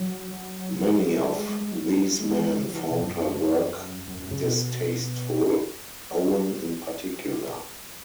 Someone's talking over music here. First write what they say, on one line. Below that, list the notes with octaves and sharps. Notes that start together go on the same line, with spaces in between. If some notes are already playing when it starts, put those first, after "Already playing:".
Many of these men found her work distasteful, Owen in particular.
Already playing: F#3
F#3
F#3
G#3
G#3
G#3
G#3
F#3
G#3
F#3
E3
D#3
B2
F#2
F#2
F#2
C#3
B2